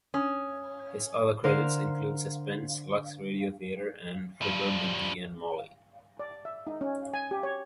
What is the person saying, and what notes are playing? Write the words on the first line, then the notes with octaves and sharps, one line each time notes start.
His other credits include "Suspense", "Lux Radio Theater", and "Fibber McGee and Molly".
C#4 D#6
D3 A#4 C5 F5
F3 G3
D5
E5
D#4
C#4
G#5
G4
C#5